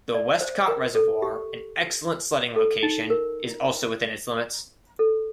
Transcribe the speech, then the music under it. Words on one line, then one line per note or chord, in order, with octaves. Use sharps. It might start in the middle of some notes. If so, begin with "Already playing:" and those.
The Westcott Reservoir, an excellent sledding location, is also within its limits.
D5
C5
A#4
A4
G4
A4
D#4
A#4
A4